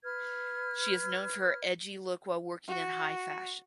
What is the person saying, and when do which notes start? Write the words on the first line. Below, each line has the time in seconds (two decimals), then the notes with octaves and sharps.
She is known for her "edgy" look while working in high fashion.
0.04 B4 F6 G#6
2.68 F#4